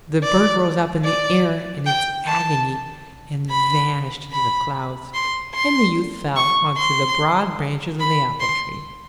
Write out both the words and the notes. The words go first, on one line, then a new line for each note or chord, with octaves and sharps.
The bird rose up in the air in its agony and vanished into the clouds, and the youth fell on to the broad branches of the apple-tree.
D5
D5
G5
A5
B5
B5
C6
C6
C#6
C6
B5
C6